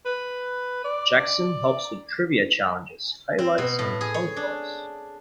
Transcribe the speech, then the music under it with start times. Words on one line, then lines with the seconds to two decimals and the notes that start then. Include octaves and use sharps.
Jackson helps with trivia challenges, highlights and phone calls.
0.06 B4
0.84 D5
3.38 C4
3.58 B2
3.79 A2
4.01 G#4
4.14 C#5
4.36 D4